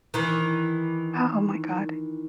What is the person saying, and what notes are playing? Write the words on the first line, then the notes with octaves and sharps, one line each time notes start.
Oh my god.
D#3 E3